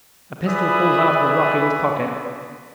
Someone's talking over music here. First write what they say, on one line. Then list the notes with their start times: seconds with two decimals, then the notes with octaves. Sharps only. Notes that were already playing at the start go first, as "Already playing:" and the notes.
A pistol falls out of a ruffian's pocket.
0.48 G#4 B4 D5 E5 B5 D#6